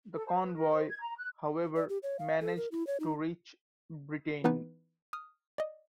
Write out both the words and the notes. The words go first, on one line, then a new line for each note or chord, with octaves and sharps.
The convoy, however, managed to reach Britain.
A4
C5
B4
A#4
C5
G#6
A#5
F#6
D5
G4
C#5
F5
A4
A#4
E4
C#5
D#4
E3 B3 D#4 B4
D#6 F6
D5 D#5